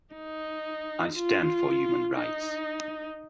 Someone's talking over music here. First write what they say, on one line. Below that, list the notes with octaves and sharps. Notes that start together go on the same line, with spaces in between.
I stand for human rights.
D#4
F4
D#4